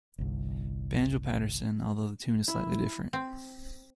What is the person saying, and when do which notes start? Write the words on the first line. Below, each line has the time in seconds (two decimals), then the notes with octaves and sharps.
"Banjo" Paterson, although the tune is slightly different.
0.18 G1 C2
2.48 E4
3.13 C4